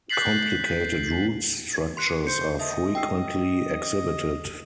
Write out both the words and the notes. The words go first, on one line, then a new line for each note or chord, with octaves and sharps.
Complicated root structures are frequently exhibited.
F#6 G6 A6 B6 C7 F#7
C6 F#6 C#7
C5 C#7
D#5 E5 A5
G5 E6 C7